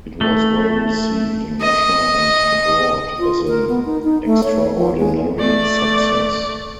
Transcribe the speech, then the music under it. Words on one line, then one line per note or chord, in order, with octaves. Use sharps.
It was well received in Russia and abroad as an "extraordinary success".
A3
D#5
F4
A#4
B3
D#4
D#4
A3
C#5
F3
G#3
A3 D5